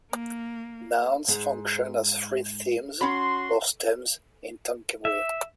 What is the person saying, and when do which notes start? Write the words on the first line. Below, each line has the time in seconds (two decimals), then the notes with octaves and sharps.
Nouns function as free themes, or stems, in Tonkawa.
0.13 A#3
1.28 G#2
3.01 C#4 F#4 B5 C6
5.05 E5